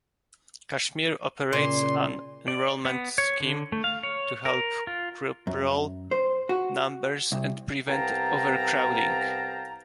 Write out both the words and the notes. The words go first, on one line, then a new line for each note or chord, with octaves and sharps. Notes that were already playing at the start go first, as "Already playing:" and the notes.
Cashmere operates an enrolment scheme to help curb roll numbers and prevent overcrowding.
A#2 C#3 C6
D5
B3
C#5
D3
A3
F5
C#5
A#4
F4
F#2
C5
F#4
C2
C2 B3 F5 G5 A5 A#5